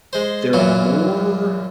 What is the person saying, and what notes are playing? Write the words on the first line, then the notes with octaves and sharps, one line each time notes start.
they're more
G#3 C5
F#2 A#2 E3 F#3